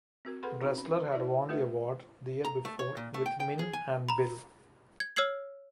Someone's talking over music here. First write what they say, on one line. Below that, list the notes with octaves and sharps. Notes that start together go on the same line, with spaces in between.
Dressler had won the award the year before with "Min and Bill".
C4 F#4 A#4
G#4 A4 B4 F#5 B5 C6
C4 C#4 D#4 F#4
C#4
E4 F#4 G4 C5 D5 E5
A3 F4 G4 B4 E5
A#5
A3
C#5
A#2
A3
G5
G5
G#4
G#5
A#5 B5
G#6
C#5 E6 F6 G#6 C7 F#7